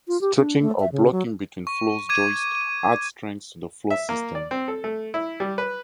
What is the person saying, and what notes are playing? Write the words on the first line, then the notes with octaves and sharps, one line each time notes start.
Strutting or blocking between floor joists adds strength to the floor system.
F4
G4
D4
A3
E5
C#3
F#3
C#6
D6 G#6 D#7
E5
A#3
D5
C4
A4
A3
E4
G3
B4